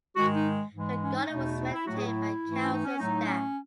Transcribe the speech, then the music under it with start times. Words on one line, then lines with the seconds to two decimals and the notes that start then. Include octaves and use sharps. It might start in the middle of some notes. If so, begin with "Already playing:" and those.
The garden was maintained by council staff.
0.16 G#2 D#3 G#3 F#4
0.35 D#4
0.73 G#2 E3 G#3
1.01 C#4
1.15 D#4
1.29 E2 B2 A3
1.58 D#4
1.72 E4
1.86 A2 F#3 A3 F#4
1.95 G#4
2.05 E4
2.43 G#2 E3 A3
2.63 C#4
2.71 D#4
2.85 C#4
2.99 A2 F#3 A3 D#4
3.28 C#4